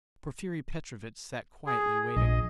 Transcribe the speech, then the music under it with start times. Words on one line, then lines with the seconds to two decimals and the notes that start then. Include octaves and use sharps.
Porfiry Petrovitch sat quietly waiting.
1.67 G#4
2.16 A#1 D#5